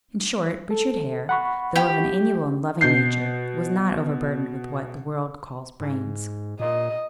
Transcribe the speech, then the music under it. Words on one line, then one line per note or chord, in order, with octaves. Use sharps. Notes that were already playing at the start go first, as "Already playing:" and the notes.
In short, Richard Hare, though of an amiable and loving nature, was not over-burdened with what the world calls brains.
A4
F#5 B5 C#6
G4
B2 G6 C7
G#2
A#2 D#5